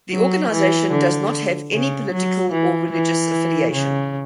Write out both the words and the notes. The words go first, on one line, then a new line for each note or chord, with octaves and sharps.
The organization does not have any political or religious affiliation.
F#3
E3
D3
C#3
F#3
E3
E3
C#3